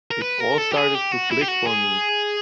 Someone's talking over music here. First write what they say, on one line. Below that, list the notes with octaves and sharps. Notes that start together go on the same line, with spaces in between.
It all started to click for me.
A#4
B4
A#4
A4
G4
G#4
G4
F#4
E4
G4
F#4
G#4